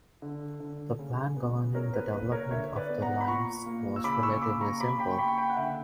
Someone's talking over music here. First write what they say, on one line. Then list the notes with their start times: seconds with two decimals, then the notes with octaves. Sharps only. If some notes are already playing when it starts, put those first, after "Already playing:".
The plan governing the development of the limes was relatively simple.
0.22 D3
0.60 D3
0.99 C#3
1.36 B3
1.74 C#3 A#4 C#5
1.94 B4
2.12 A#3 B4
2.32 A#4 C#5
2.51 D3 C#5 E5
2.76 B4 D5
2.89 B3
3.02 F#5 A#5
3.21 B5
3.27 A#2 A#5 C#6
3.66 A#3
3.96 E6
4.04 C#3 B5 D6
4.23 C#6 E6
4.42 A#3 B5 D6
4.61 A#5 C#6
4.80 C#3 B5 D6
4.99 G5 B5
5.11 C#6
5.18 A#3 G5 B5
5.28 C#6
5.38 G5 B5
5.50 F#5
5.56 D3 E5 G5